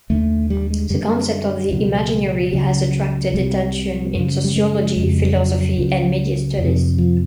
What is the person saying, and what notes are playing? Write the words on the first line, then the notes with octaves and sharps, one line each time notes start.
The concept of the imaginary has attracted attention in Sociology, Philosophy, and Media studies.
D#2 D3 A3
G3
G#3
F#2 D3 G3
C#2 B2 F#3
C#2 C#3 F#3
C2 C3 G3
F#2 C#3
G3
G#3
F2 C#3
G3
F#3
C#2 C#3
F2 C3
F3